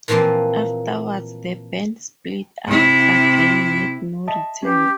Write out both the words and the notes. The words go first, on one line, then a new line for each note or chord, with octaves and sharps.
Afterwards, the band split up again with no return.
A#2 E3 F3 A#3 C4
C3 E4
D#5 E5 A5
C#4 G4 B4